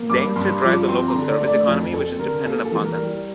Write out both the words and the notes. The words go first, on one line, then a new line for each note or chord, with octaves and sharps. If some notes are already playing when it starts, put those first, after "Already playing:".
They instead drive the local service economy which is dependent upon them.
Already playing: A#3
G2 D6
G2 C6
F3 D6
C4 C6
A#5
D3
D5
A3
D5
F2
C4 A4
D3 A#4
A#3 A4
A4
E3
A#4
G3